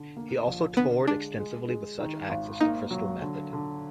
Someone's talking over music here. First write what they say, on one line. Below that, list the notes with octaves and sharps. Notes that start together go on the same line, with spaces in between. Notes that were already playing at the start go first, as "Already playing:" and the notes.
He has also toured extensively with such acts as The Crystal Method.
Already playing: D3
A#3
A#1
D3 B3
G#3 D4
G#3
G#3
D#3
G#1
A#3 D#4
F#3
D3
D3